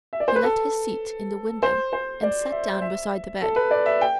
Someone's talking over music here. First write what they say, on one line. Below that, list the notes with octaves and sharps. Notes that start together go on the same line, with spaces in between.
He left his seat in the window and sat down beside the bed.
E5
D5
C5
B4
A4
C5
C5
D5
E5
E5
A4
B4
D5
E5
G5